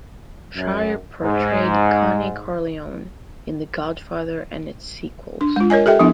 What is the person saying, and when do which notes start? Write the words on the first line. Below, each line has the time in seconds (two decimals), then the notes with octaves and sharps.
Shire portrayed Connie Corleone in "The Godfather" and its sequels.
0.55 F#2
1.22 G#2
5.41 D4
5.56 G#3 F4
5.70 A#4 C#5 D#5 G#5
5.86 G4 A4 E5 G5
5.99 F3 B3 D4 E4